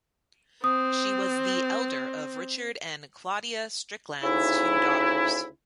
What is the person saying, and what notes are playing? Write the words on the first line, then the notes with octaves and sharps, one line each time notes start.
She was the elder of Richard and Claudia Strickland's two daughters.
C4 D#6
D2 C#3 D#4 E4